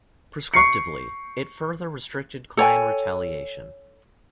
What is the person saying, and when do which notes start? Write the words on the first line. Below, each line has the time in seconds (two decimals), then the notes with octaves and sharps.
Proscriptively, it further restricted clan retaliation.
0.54 C#6 C7 C#7
2.57 A4 C#5 G5 G#5